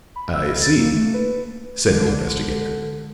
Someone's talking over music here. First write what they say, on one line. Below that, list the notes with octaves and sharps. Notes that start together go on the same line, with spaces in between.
"I see," said the investigator.
B5
E6
A6
A#3
A3
B4
D3 G#3